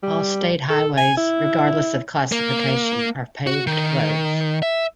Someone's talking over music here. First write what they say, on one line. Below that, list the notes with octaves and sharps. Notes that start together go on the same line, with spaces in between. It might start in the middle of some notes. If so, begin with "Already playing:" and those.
All state highways, regardless of classification, are paved roads.
G3
A4
G#5
E4
A#3
F#4
D#3
E5